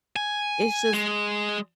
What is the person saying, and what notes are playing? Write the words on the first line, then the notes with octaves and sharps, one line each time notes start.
It’s just
G#5
G#3